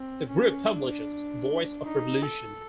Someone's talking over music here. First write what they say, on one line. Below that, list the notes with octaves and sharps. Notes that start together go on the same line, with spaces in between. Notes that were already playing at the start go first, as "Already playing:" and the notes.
The group publishes "Voice of Revolution".
Already playing: C4
C#4
D4
D#4
A4